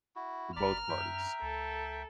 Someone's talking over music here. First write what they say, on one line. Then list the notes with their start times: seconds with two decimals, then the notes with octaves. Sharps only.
For both parties.
0.16 E4 F#4
0.56 G1 D5 A#5 B5 D6 F6
0.89 F#2 E5 G5
1.42 C#2 A4